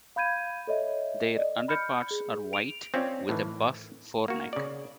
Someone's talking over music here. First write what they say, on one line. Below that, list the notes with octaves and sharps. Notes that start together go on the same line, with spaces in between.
Their underparts are white, with a buff foreneck.
F5 B5 G6 G#6 D#7
A4 C#5 D#5 E5
D5 D#5
B5 F6 G6 C#7
G#4
D7 F7
C4 C#4 F4 C#5 D5
A2 D#3 E3
A#3 F#4
C#3 D5